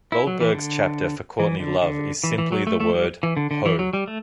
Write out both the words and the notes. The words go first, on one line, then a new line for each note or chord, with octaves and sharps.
Goldberg's chapter for Courtney Love is simply the word "ho".
E4
F#3
E3
D3
E3
D3
D3
E3
E3
F#3
A3
A3
G3
E3
D3
D3
E3
F#3
G3
A3